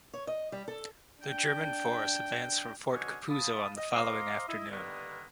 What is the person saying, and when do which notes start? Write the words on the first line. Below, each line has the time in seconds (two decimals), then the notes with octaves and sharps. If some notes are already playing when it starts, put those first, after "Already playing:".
The German force advanced from Fort Capuzzo on the following afternoon.
0.14 C#5
0.27 D#5
0.52 G3
0.68 A4
1.22 D4 G5
2.92 B2 D3 C#4 G#4 C#5 G#5
3.29 F5 A5 B5 D#6
3.77 D#5
3.94 C5 D#5 F5 A#5 C6 D6
4.48 E4 D#5
4.70 G2 D3 D#3 A#3 B3